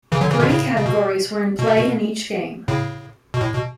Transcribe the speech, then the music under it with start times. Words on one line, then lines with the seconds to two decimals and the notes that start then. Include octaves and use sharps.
Three categories were in play in each game.
0.12 C#3 E3
0.21 D3 F#3
0.31 C#3 E3
0.40 B2 D3
0.49 A2 C#3
0.76 C#3
0.86 B2
1.59 B2
1.77 B2
2.68 A2 C#3
3.34 B2
3.41 A2
3.54 B2